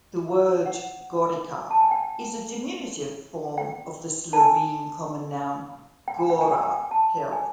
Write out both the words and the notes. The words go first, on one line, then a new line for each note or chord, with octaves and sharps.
The word "gorica" is a diminutive form of the Slovene common noun "gora" 'hill'.
F#5
A5
G#5
G5
G5
A5
G#5
G5
G#5
G5
G#5
G5
G#5
G5
A5
G#5